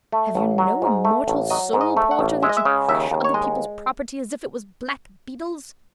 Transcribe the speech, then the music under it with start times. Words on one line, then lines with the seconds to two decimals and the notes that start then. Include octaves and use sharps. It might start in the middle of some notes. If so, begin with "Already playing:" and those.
Have you no immortal soul, porter, that you crush other people's property as if it was blackbeetles?
0.12 A3
0.35 A1
0.58 F#3
0.82 G#2
1.05 A3
1.28 A1
1.50 F#3 D#5
1.73 G#2
1.81 D#5
1.97 A3
2.11 F#5
2.19 A1
2.43 G#3 E5
2.49 D#5
2.57 E5
2.65 C#3
2.89 D#2 E5
3.11 D#2
3.24 C#5
3.34 G#3 D#5